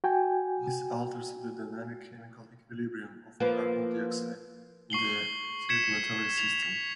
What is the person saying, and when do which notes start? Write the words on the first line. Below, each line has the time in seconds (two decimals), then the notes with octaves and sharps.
This alters the dynamic chemical equilibrium of carbon dioxide in the circulatory system.
0.04 F#4 G5 G#5
3.40 F3 A#3 B3
4.90 C#6 C7 F#7 G7
5.69 G#6 B6 C#7 E7
6.38 F7
6.63 B6